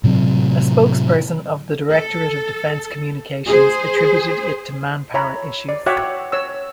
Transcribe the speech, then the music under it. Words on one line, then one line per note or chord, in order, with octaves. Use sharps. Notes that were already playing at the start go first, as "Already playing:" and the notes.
A spokesperson of the Directorate of Defense Communications attributed it to manpower issues.
A2 C3 F#3 C4
A4
G#4 C5
C#5 E5 G#5 A#5 B5
D5
F#4 C#5 E5 F#5 G5 D6
C#5 E6